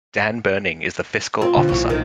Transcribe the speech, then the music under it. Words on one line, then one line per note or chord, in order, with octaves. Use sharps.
Dan Berning is the fiscal officer.
C4 F4
B2 D3
B1 A#2 E3 C#4
D#3